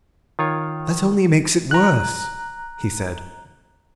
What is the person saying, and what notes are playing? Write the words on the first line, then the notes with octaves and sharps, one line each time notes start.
"That only makes it worse," he said.
D#3 F4 C#5
A#5 F#6